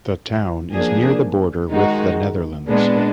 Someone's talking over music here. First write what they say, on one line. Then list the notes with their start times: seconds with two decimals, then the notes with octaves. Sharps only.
The town is near the border with the Netherlands.
0.73 F3 A#3 D4 G#4
1.70 D#3 G#3 D#4 F#4
2.67 A#2 G#3 B3 D4